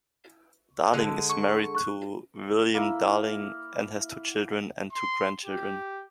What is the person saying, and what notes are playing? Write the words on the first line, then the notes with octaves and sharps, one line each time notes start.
Darling is married to William Darling and has two children and two grandchildren.
D3 G#3 F#6
C#6
C#6 F#6
A#3 E4
C6
G4